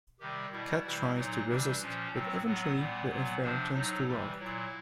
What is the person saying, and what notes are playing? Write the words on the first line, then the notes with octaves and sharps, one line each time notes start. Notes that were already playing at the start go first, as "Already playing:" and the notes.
Kat tries to resist but eventually the affair turns to love.
C3 D#3 G3 G4
B2 G3 E4
C3 E3 G3
A#2 F#3 D#4
C3 E3 G3 D4
A#2 F3 C#4
A2 F#3 C4
A2 F#3 B3
A#2 G3
A#2 F#3
C3 F3 D4
A2 F#3 D#4
C3 E3 G3
A#2 F#3 E4